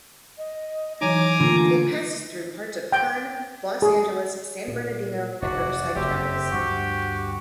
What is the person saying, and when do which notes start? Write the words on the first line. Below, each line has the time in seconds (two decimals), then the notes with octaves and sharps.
It passes through parts of Kern, Los Angeles, San Bernardino, and Riverside counties.
0.38 D#5
1.01 E3 F#3 D#4 C#5 G#5 A#5 D6
1.40 D3 A3 A#3 F4
2.92 G5
3.82 G#4
4.68 A#2
5.42 F1 E2 F#4 D5
5.96 F#1 F2 C4 G4 E5
6.51 D2 G2 F3 F#4